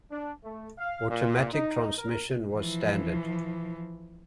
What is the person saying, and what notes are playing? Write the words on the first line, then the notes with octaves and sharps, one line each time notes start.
Automatic transmission was standard.
D4
A3
F5
A#2
D#4
A#4
E3 F3